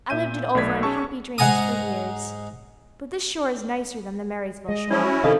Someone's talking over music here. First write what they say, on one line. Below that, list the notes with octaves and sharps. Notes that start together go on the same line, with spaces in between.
I lived it over in happy dreams for years. But this shore is nicer than the Marysville shore.
A#2 E5 G6 D#7
B1 A3 D5 G#6 B6
C#4 G#4 A5 C#6 E6
G#2 F#5 G#5 A#5 D#6
G#3 D#5
F3 C#4 E4 D5
F#4
C3 D#3 F3 A4 D#5 F5